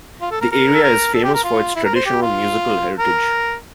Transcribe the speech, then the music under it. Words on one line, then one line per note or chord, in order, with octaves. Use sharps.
The area is famous for its traditional musical heritage.
F4
A4
A#4
A#4
A4
A#4
A4
G4
A#4
F4
E4
A#4
C5
G4
F4
A#4